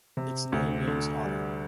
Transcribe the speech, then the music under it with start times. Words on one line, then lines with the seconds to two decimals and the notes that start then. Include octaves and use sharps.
Its name means "otter".
0.17 C3
0.52 D2
0.87 D3
1.23 G3